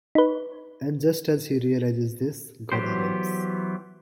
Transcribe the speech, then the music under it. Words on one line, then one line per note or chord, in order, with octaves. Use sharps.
And just as he realizes this, God arrives.
D#4 B4
E3 F#3 B3 G4 C5